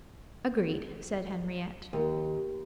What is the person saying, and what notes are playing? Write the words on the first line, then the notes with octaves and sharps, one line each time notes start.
"Agreed," said Henriette.
D#2